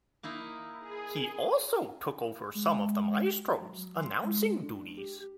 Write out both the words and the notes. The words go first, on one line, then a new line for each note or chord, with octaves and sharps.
He also took over some of the maestro's announcing duties.
A#3 D#4 E4
G#4
G#3
F#3
C6
G#3
D4
G4